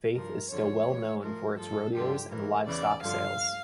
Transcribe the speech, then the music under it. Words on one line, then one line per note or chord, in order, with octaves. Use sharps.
Faith is still well known for its rodeos and livestock sales.
G2 F3 A#4
F2 D3 F3 C#5
A2 E3
A2 F3 A#4
G2 F3 A4
G2 D3 F3 G4
A2 E3 A#4
E2 C#3 E3 D5
G2 D3 F3 F5